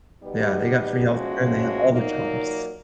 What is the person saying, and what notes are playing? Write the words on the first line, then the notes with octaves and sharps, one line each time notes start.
Yeah, they got free healthcare, and they have all the jobs.
B2 G3 B3 D#4 G4
A2 F3 G#3 C#4 F#4
A#2 F#3 A#3 D#4